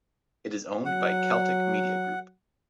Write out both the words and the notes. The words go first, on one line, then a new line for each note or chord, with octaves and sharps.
It is owned by Celtic Media Group.
F#3 F#5